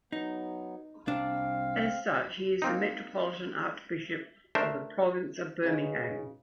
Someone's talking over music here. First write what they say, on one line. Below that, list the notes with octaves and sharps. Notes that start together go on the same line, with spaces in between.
As such he is the Metropolitan Archbishop of the Province of Birmingham.
F#3 B3 D#4
C2 C4 D4 F5
A#3 C4 D#4
A3 D4 A#4 C5 E5
C#3 B4 D#5